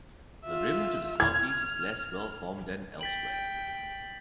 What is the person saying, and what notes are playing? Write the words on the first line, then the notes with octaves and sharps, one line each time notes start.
The rim to the southeast is less well-formed than elsewhere.
F4 E5
F6 G#6
G5 A6 B6 F#7